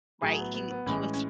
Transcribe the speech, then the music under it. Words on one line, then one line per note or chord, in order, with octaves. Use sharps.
right? He he was
A2 F#3 G#4
B3
B3
B3
A2 E3 G#3 C#4
C#4